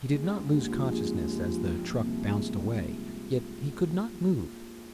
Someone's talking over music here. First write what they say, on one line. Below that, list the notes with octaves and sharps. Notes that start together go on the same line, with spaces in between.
He did not lose consciousness as the truck bounced away, yet he could not move.
G#3
D3
D#2
F3
G#3
D3
D#2
F3
D#4
A#2
C2
G#3
D#4